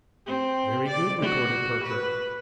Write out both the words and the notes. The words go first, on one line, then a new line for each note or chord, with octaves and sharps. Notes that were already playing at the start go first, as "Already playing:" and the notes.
'Very good,' retorted Perker.
C4
D5
F#4
B4